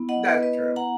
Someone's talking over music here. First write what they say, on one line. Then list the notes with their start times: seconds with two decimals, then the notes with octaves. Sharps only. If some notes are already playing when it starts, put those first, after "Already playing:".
That's true.
Already playing: B3 E4
0.09 D#5 F#5
0.26 B4 D#5
0.43 B4 D#5
0.76 F#5 A#5